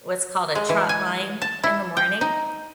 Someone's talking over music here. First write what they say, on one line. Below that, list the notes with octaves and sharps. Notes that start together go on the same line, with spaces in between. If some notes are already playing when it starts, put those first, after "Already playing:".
what's called a trot line in the morning
G#3
E3
G#5
A5
E4
G5
D#4